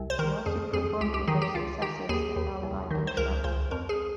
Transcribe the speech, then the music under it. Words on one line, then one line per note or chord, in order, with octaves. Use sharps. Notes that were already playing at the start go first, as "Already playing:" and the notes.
She also performed with her successors at Alibi Bookshop.
Already playing: C2
C5
D#3 A#4
F2 G#4
F2 G#4
C#2 G4
G4
D#3 G#4
G4
C#2 F4
D#3 G4
D#2 G#4
D#2
C2
D#3
C5
C#2 A#4
C#2 C5
F2 A#4
G#4